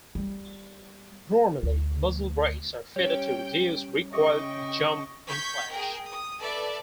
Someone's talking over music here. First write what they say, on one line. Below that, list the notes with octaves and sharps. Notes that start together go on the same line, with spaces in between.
Normally muzzle brakes are fitted to reduce recoil, jump and flash.
G3
D2
G3 C#4 C#5 G5
C#3 G4 G#4 D#5 E5 G5 C#6
C#6 G6 G#6 B6
G#4 A#4 G5
D#6
A4 B4 D5 E5